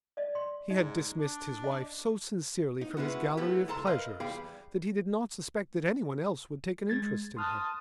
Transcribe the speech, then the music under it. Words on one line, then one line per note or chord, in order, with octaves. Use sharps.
He had dismissed his wife so sincerely from his gallery of pleasures that he did not suspect that anyone else would take an interest in her.
D5 D#5
C6
G#2 D#4 D#5
D4
D#5
D#4
G#3 B3 C#4 E4 F#4
F3 A3 B3 E4 G4
C#2 A4 A5 A#5 C6
A#4 B4 D#5 F5
E2 G3 G#4 F5 G5 B5
G#3 G#6 A6
A5 C6 D#6 F6 F#6